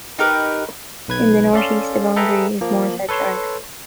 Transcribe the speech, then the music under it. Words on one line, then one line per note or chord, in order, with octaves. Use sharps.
In the north east the boundary is Morshead Drive.
D#4 G4 A#4 B4
B1 B4 G#6
C#4 A4 D5 F5 C6
G#4 A4 B4 E5 G5 A#5
F3 A#3
A4 B4 C#5 C6